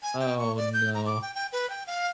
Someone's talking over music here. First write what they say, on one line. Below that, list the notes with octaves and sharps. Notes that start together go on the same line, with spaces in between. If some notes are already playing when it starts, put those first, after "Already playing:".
Oh no.
G#5
G5
C#6
D5
G6
A#5
D6
G5
G5
B4
G5
F5